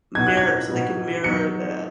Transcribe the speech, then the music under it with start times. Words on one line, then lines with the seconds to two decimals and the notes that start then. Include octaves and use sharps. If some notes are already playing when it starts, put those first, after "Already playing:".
mirror so, they can mirror the
0.15 B2 B3 D#4 G#6
0.27 F#6
0.37 G#6
0.69 B2 B3 D#4
1.24 F#3 B3 D#4 C#7